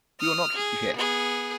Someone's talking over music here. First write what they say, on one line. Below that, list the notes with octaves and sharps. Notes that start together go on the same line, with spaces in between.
We will not keep you here.
D#6 F6
G#4
B3 G#4